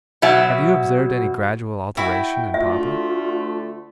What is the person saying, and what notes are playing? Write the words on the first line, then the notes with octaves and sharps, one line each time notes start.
Have you observed any gradual alteration in Papa?'
B2 F#3 E5
E4 F#4 G5
D2 A3 F4 E5